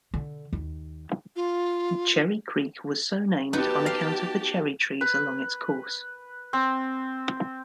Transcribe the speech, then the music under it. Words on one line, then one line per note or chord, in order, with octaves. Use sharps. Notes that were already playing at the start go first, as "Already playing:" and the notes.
Cherry Creek was so named on account of the cherry trees along its course.
D3
D#2
F4
B3 D#4 F#4 G4 A5
F5
B4
C4